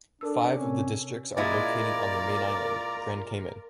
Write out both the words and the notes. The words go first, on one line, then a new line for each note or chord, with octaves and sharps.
Five of the districts are located on the main island, Grand Cayman.
D4 A4 A#4 E6
C3 C#4
A#2 G#3 E4 F4 A#4 D5 A#5